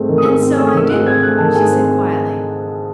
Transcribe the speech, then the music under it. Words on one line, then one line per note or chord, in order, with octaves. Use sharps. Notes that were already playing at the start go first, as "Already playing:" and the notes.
"And so I do," she said, quietly.
Already playing: G#2 A3 C4
D#3
D#6
G#2 E6
C4
A3 E6
D#6
D#3 E6
G#2 F#6
C4 G#6
A3 F#6
D#3 A5
G#2 G#5
C4